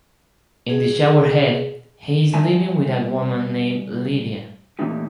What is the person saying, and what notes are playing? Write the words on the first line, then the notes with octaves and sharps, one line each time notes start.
In "The Shower Head", he is living with a woman named Lydia.
G#4
G3 E5 G#5 A5
A#2 E3 A3 A#3 D#4 G4